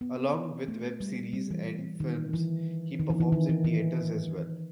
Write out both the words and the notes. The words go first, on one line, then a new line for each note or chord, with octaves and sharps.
Along with web series and films he performs in theaters as well.
B3
A3
G3
G3
E3
D#3
E3
D#3
E3
E3
D#3
E3
E3